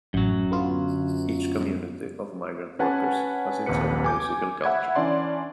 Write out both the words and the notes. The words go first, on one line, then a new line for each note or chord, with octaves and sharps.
Each community of migrant workers has its own musical culture.
A1 F#2 F#3
D3 B3 F4
C#4 B4 F#5 G#5 A5
A#1 D#2 C3 G4 B4 C#7
G#5 D6 G6
E5 F#5 B5 G#6
E3 C#4 D4 D5 C6